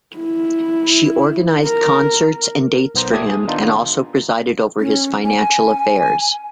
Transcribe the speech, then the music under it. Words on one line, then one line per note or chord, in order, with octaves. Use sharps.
She organized concerts and dates for him, and also presided over his financial affairs.
E4
A#4
B1 B3 C5 A#5
A#2 A3 G4 A5 D#6 G#6
G#4
D#3 B3 D4 D#4 F4
C#4
G#5